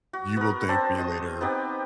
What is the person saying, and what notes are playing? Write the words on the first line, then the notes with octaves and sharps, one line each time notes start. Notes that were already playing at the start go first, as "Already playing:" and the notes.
You will thank me later,
F#4
B3 A#4
C4 D4 C5 A5
C5 D#5
B3 C4 D#4 G4